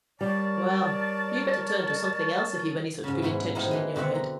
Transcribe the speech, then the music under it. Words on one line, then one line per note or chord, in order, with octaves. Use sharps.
'Well! you'd better turn to something else, if you've any such good intention in your head.
G3 A#4 C#5 D5 A5
G#2 C#3
G#2 B2 B3 E4
A2 F3 D#4 E4
E3 G#3
B2 D3 C4 E5 F#5
A#5